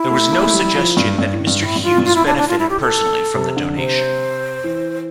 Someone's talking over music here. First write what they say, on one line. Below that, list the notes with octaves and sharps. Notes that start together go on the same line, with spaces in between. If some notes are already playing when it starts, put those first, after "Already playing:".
There was no suggestion that Mr Hughes benefited personally from the donation.
Already playing: E4
A3
A#3
A3
G3
G3
F3
G2
G2
A2
G2
A2 E4
G2
F4
A2
G2
A2 F4
E4
A2 D4
D4
F4
E4
G4
A4
C3
D3
C3 C5
E3